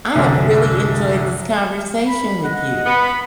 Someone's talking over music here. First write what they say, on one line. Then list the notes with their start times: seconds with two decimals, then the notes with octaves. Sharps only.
I have really enjoyed this conversation with you.
0.15 C2 F#2 D3
2.06 B5
2.44 D#5 F#5
2.85 B3 B5